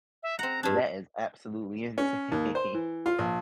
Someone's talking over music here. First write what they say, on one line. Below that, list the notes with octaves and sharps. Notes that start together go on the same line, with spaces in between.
That is absolutely insane.
E5
C4 F#5 A#5
G2 D4 G#6
C#4
D#2
C5
E3
F4
A#1